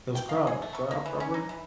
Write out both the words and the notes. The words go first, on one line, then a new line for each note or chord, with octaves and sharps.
It was Craw Craw Crawford?
G5
F5
G#4
A3
C#6
A#3
E3
C#4
D#4
E3